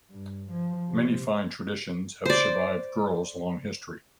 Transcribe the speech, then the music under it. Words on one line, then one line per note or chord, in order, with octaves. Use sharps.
Many fine traditions have survived Girls' long history.
G2
F3
C3
C5 D5